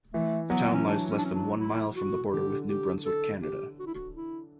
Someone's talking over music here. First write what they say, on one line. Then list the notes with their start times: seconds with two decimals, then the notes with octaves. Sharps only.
The town lies less than one mile from the border with New Brunswick, Canada.
0.14 E3 A3
0.50 F#3 B3
0.69 E3
0.74 C#4
0.87 D4
1.11 C#4
1.18 D4
1.25 C#4
1.35 D4
1.60 E4
1.96 F#4
2.33 D3 G4
2.69 G4
3.06 A4
3.42 G4
3.80 F#4
3.87 E4
3.95 F#4
4.16 E4